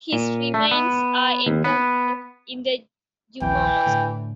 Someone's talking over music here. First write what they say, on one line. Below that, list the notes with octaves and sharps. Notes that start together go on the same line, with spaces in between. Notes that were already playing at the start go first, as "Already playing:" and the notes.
His remains are entombed in the Jumah mosque.
A#2
A3
B3
D#2
B3
A#1 D#2 E3 F3 G5
A2 D3